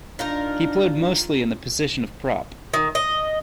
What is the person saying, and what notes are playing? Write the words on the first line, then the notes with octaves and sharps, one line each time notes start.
He played mostly in the position of prop.
D4 D#4 F4 A#4
D#3
D#5